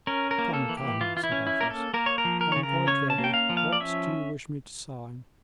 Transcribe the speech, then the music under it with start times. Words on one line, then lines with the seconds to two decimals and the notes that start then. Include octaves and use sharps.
"Come, come," said Athos, "I am quite ready; what do you wish me to sign?"
0.07 C#4 A#4
0.31 A#4
0.38 A#3
0.53 A4
0.69 E3
0.77 G4
1.01 E3 F4
1.17 F4
1.24 E4
1.32 C#4
1.47 E4
1.61 A#3 A#4
1.70 A4
1.94 A#3 A#4
2.06 C#5
2.18 A#4
2.25 F3
2.41 A#4
2.52 C#3 C#5
2.63 A#4
2.87 C#4 C#5
3.10 A5
3.18 A#3
3.24 G5
3.34 F5
3.49 F3
3.57 F5
3.72 D5
3.80 C#4 E5